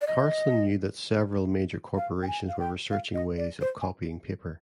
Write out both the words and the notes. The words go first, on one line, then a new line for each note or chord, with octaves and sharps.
Carlson knew that several major corporations were researching ways of copying paper.
D5
D#5
F5
G5
G#5
F5
G5
F5
D#5
D5
C5
G#5